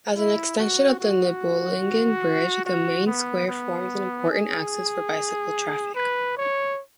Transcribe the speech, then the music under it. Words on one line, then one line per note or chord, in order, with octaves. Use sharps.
As an extension of the Nibelungen Bridge, the main square forms an important axis for bicycle traffic.
E4
F#4
F#4
F#4
B3
B3
G#4
B4
C#5